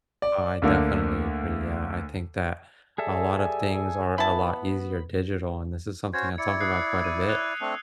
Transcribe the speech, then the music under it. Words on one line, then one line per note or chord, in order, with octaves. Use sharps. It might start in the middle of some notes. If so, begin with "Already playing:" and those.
I definitely agree, yeah, I think that a lot of things are a lot easier digital, and this is something I talk about quite a bit
D5
D2 D3 A#3
G3 G#4 A4 E5 G#5
B3 E4 A5 B5
C#4 F#4 C5 G#6
E4 D5 C#7
D#6 F#6 C7
D#7
E6 F#6 F7
A3 C4 D4